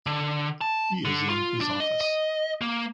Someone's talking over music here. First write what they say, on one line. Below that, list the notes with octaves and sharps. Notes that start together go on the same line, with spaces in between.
He is in his office.
D3
A5
D3
F4
D4
D#5
D#5
A#3